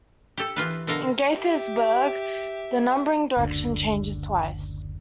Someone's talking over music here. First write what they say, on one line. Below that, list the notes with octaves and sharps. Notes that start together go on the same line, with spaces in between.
In Gaithersburg, the numbering direction changes twice.
G4 A4
E3 F4 B4
B2 D3 A4 A#4 F5
G4 E5
F#1 D2 D3